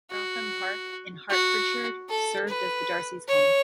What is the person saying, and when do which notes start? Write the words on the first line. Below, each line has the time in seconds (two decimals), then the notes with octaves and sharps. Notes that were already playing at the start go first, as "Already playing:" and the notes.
Wrotham Park in Hertfordshire served as the Darcys' home.
0.11 F#4
1.30 F#4
2.10 A4
2.49 B4
3.28 C#5